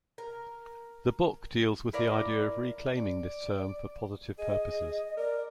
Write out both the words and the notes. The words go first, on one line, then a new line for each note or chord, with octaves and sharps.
The book deals with the idea of reclaiming this term for positive purposes.
A#4
E4 A#4 D5 F5
D5
G#4 D#5
A#4 D5